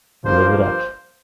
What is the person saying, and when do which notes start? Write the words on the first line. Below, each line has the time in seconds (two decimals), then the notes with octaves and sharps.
Live It Up!
0.24 G2 F3 A#3 C5
0.60 C5